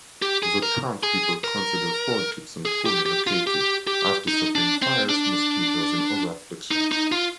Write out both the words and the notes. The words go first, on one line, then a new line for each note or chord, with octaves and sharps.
The townspeople considered Fort Gibson poorly located after suffering fires, mosquitoes, and other afflictions.
G4
G#4
A#4
G#4
A#4
G#4
G4
G4
F4
G4
G4
D#4
D4
C4
D4
D#4
D#4
F4